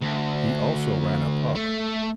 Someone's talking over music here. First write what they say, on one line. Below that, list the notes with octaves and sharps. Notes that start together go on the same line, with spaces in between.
He also ran a pub.
D2
A3